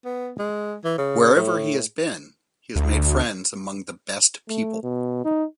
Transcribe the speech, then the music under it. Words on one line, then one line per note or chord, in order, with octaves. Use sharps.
Wherever he has been he has made friends among the best people.
B3
G#3
E3
C#3
A2
D2
A3
B2
D#4